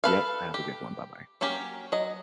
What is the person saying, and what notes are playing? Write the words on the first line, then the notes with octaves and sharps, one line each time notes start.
Yep. Have a good one. Bye-bye.
A4 B4 F5
G4
F#3 A#3 C#4 G4
F#3 D#5